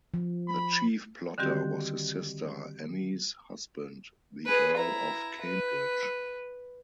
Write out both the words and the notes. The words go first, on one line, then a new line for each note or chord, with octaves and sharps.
The chief plotter was his sister Anne's husband, the Earl of Cambridge.
F3
B5
D3 D#3 G3 C4 F#4 G4
G#4 B4
E4 A#5
B4